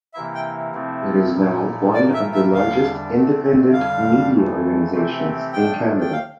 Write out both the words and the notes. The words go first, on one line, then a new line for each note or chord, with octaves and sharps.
It is now one of the largest independent media organizations in Canada.
C3 E3 A#3 E4 E5
G5
C3 F3 A3 C4 E4
A#2 F3 A3 E4
A2 E3 A#3 F4 A#4 D5
E5
E5
E2 D3 G3 D4 F5
D3 A3 C4
F2 D3 G3 F5
F2 E3 A3
C3 E3 A3 C4 G4
F3 A3 D4 G5
G5
F5